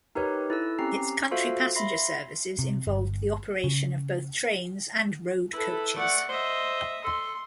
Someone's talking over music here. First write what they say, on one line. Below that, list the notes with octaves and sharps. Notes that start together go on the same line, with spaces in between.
Its country passenger services involved the operation of both trains and road coaches.
D#4 G4 A#4 B4 C#5
E4 A4 E6
C4 C#4 G4 A#5 C7
F4 F#4 A4 C5 E5 F5
E5 B5 C6 A#6 C7
C3
G1
C#3
E4 A4 B4
A3 D5 F#5
C5 D#5 E5
A4 C6